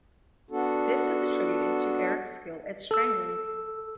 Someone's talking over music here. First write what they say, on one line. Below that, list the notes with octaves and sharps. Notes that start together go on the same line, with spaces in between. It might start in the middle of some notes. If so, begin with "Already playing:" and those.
This is attributed to Erik's skill at strangling.
B3 D4 F#4 A4
A4 E6